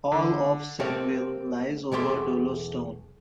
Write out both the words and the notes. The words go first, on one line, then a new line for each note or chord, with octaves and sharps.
All of Senneville lies over dolostone.
D3
A3 A#3 C4 G4 A4
B1 E2 A3 G4 C6